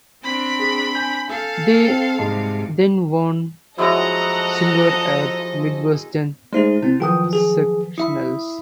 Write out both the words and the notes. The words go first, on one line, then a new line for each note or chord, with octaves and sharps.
They then won silver at Midwestern Sectionals.
C4 D4 B5
G#4
G#5 G6
A4 F5
C4
G#2 C3 G3 G#3 A5
F3 F#3 G#3 E4 A4 D#5 F#5 A#5
G#3 A3 D#4 G#4 C5 E5
C3 C4 E4
D#3 F3 F#3 F4 G5 D#6
G#4
E4 E5 B5 D#6